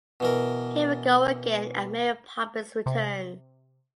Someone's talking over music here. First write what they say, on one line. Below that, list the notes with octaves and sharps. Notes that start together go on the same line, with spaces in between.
Here We Go Again and Mary Poppins Returns.
B2 E3 A#4
C3